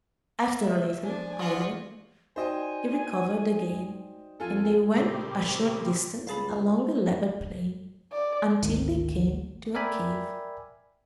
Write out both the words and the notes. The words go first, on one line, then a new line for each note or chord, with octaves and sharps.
After a little, however, he recovered again, and they went a short distance along a level plain, until they came to a cave.
C3 F#3 A#4 E5
F3 D4 G#5
F4 F#4 G#4
D#4 F#4 C5 D5 D#5 G5 G#5
F2 F4 A4 G#5
A#2 C#3 G3 A#3 C4 G4
C#2 G2 G#4 F5 A5 B5
D5
G#1 D2 D#3
A#4 D5 E5 G5 G#5 B5